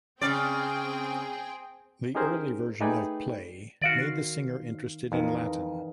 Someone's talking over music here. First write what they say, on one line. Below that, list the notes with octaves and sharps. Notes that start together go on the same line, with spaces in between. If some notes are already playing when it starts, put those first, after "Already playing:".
The early version of "Play" made the singer interested in Latin.
C#3 C4 G#4 D5 G5
C#4 D#4 G4 G#4 A#4 C5
A3 D#4 G#4 B4 D5 G5
D#3 F#4 D5 F5
F2 E3 D#4 A#4